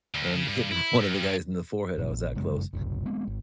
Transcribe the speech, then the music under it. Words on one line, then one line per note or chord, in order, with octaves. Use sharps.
and hit one of the guys in the forehead, I was that close.
D2
C#3
G2
E4
F#2
G2
G1 B2 F#3
A#1
G1 F#2 C#3 G#3
F#1 C2
G#3 B3 C4
G#1